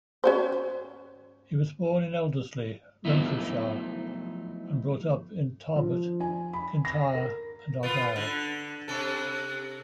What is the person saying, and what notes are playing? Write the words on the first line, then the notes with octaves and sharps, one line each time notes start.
He was born in Elderslie, Renfrewshire, and brought up in Tarbert, Kintyre and Argyll.
C#4 F#4 C5
F3 F#3 A3 B3 D#4 E4
F3
G#5
B5
A#6
A#4
B3 F4
D3
C3 A4